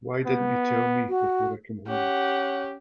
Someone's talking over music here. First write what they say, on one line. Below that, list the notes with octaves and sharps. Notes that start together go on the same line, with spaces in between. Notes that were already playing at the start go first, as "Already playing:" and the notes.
Why didn't you tell me before I came home?
B3
F#4
C#4 G4 F#5